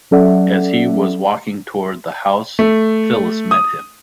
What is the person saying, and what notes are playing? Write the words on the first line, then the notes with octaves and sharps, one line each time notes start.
As he was walking toward the house, Phyllis met him.
F#3 C#4 A4 D5 E5 F#5
A3
D#6